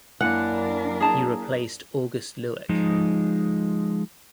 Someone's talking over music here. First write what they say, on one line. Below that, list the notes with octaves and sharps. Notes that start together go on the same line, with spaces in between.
He replaced August Luik.
F#2 A#3 D4 E4 A#4 F#5 G#5
G#4 A5 A#5
F3 G#3 D#4